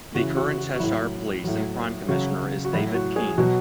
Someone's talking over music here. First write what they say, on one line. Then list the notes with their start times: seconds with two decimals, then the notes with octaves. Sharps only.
The current Cheshire Police and Crime Commissioner is David Keane.
0.15 C#3 E3 F#4
0.36 F#4
0.58 F#4
0.75 F#4
0.79 A2 F#3 E4
1.44 A2 F#3
2.08 C#3 F#3 F#4
2.65 F#4
2.73 A2 F#3 E4
2.95 F#4
3.16 G#4
3.38 B2 F#3 F#4